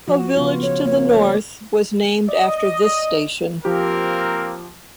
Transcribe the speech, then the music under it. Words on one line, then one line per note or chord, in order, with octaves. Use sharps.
A village to the north was named after this station.
F3 F#4
C#3 B3 F4
C#5
A#3 C#4 C#5
A3 D5
D5 D#5
F3 A#3 C4 G4 A#4